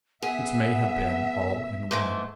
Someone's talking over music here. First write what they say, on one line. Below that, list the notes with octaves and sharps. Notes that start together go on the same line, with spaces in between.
It may have been all in one.
B3 G#4 E5 F#5
G#2 E3 A3 C6